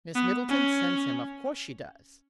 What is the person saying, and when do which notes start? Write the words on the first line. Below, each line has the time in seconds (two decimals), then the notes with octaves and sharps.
"Miss Middleton sends him; of course she does."
0.15 B3
0.49 C#4